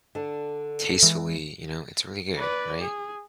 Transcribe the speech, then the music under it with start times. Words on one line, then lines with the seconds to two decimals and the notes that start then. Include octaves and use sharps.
tastefully you know, it's really good, right?
0.15 D3 D4
1.03 E3 G#3
2.38 B4 D5
2.82 G#4